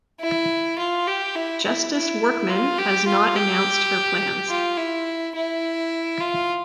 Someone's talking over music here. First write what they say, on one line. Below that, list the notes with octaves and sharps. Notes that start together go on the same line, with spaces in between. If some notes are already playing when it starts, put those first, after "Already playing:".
Justice Workman has not announced her plans.
E4
F4
G4
E4
E4
E4
F4
G4
F4
G4
F4
E4
E4
F4